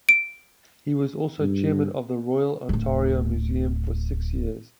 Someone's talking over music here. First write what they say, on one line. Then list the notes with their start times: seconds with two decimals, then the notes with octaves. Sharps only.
He was also chairman of the Royal Ontario Museum for six years.
0.09 D7
1.39 G2
2.69 D1 A3